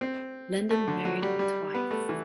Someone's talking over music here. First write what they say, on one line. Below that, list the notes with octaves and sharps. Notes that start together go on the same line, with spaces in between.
London married twice.
C4
A3
D3
F#3
G3
G3
B3
A3
E3